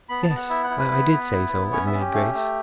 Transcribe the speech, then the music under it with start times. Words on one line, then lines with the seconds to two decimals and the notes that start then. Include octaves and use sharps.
"Yes, I did say so," admitted Grace.
0.09 B3 B5
0.23 A5
0.30 B3
0.36 F#5
0.50 E4 E5
0.64 F#5
0.70 E4
0.78 B4
0.92 B3
1.12 B3
1.32 E4
1.53 B3
1.72 C#4 C#5
1.87 E5
1.94 C#4
2.00 G4
2.13 A3
2.34 A3